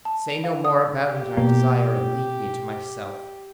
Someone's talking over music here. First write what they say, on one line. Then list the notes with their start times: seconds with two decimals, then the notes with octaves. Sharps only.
"Say no more about it, I desire; and leave me to myself."
0.05 A5
0.30 F7
0.44 F5
0.65 D#6
1.06 G4
1.37 B2 A#3